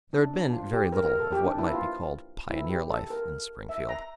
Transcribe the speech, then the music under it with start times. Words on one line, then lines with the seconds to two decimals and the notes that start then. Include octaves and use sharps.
There had been very little of what might be called pioneer life in Springfield.
0.13 D4
0.34 D4
0.53 F4
0.73 G4
0.92 A#4
1.06 A#4
1.19 A4
1.32 G4
1.45 D4
1.58 E4
1.72 F4
2.50 E4
2.70 G4
2.90 A4
3.10 A#4
3.69 E5
3.89 A#5